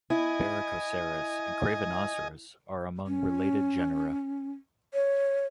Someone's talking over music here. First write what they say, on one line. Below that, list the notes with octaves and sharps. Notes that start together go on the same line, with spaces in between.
"Beyrichoceras" and "Cravenoceras" are among related genera.
E4 D#5 G#5
C#4
C#5